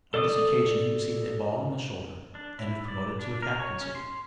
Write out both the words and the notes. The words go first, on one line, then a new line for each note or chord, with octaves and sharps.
On this occasion he received a ball in the shoulder, and was promoted to a captaincy.
A4 D5 D6 D#6
D4
E4
D5
D4
A#4
C#5
C#4
C6